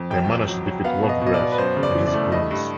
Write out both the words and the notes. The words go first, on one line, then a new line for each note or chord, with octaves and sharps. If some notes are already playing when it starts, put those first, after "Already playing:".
They manage to defeat Wolfbreath and his goons.
Already playing: F2
C#2 G5
C#2
F#3
F#3
B3 F5
B2
D#5
B2
D#5
D5
B2
B4
F#2 C5
C#3
D5
E3
D5
A3
G2 D#5
G2